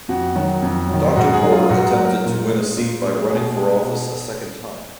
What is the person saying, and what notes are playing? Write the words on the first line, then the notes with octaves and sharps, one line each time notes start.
Doctor Porter attempted to win a seat by running for office a second time.
F2 F#4
D#3 F#3
F2
D#3 F#3
G#2 F#4
G#4
F#3
F4
G#2 F#4
F#4
F#3
A#4
A#2
G#3
A#2
G#3
B2 G#4
G#3
B2